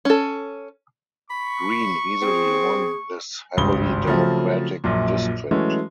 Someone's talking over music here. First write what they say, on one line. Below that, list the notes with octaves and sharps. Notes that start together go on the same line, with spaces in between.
Green easily won this heavily Democratic district.
C#4 A4
B5 C#6
C4 G#4
G#1 C#2 G2 D#6 G7
C#3 F3 F#3 A3 C4
A#1 F#2 A#2
E3 F#3 G#3 A3 C#4